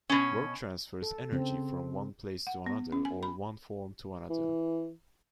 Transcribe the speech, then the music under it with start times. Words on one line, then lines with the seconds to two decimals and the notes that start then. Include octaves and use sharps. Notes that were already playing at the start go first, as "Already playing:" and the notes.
Work transfers energy from one place to another or one form to another.
0.10 B2 C#4
1.02 A4
1.32 C#3 C4
2.47 F#5
2.66 B3
2.92 C#4
3.05 G#5
3.23 B5
4.30 E3